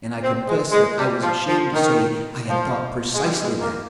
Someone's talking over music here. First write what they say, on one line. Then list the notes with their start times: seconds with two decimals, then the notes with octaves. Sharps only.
And I confess that I was ashamed to say I had thought precisely that.
0.22 C4
0.47 G#3
0.72 G#3
0.98 G3
1.22 F3
1.47 F3
1.73 D#3
2.48 F3
3.13 G#3
3.23 G3
3.42 G#3
3.61 A#3